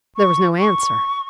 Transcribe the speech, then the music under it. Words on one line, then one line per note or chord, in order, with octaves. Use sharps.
There was no answer.
C#6
C#6